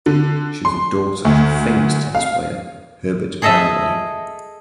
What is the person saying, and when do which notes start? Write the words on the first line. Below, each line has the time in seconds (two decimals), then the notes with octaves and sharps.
She was the daughter of the famous tennis player Herbert Baddeley.
0.06 D3
0.65 C6
1.25 D2
2.15 F5
3.42 G#4 A4 D#5 E5 A5